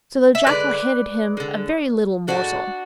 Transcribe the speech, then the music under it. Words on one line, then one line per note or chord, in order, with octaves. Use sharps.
So the jackal handed him a very little morsel.
E5
D3 G#3 B4 D5
D3 G#3
A2 G#3 D4 F#4